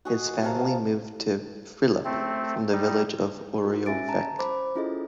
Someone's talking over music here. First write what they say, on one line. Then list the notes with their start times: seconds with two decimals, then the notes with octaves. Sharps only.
His family moved to Prilep from village of Oreovec.
0.05 F#4 G#4 D#5
0.42 C3 F5 A5 A#5
2.05 A3 C4
2.72 G3 D#4
3.62 E4 F#4 A#4
3.86 C#4 E5 G#5 A6 D7
4.09 A5 A#5
4.39 C5 B5 D6
4.75 C#4 E4 F4 G#4 A4 D#5